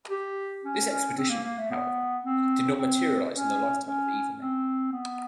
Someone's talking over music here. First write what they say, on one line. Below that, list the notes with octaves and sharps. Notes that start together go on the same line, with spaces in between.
This expedition, however, did not materialize in the lifetime of either men.
G4
C#4
C#4
C4
A#3
A#3
A3
B3
C4
C4
C#4
C#4
C4
B3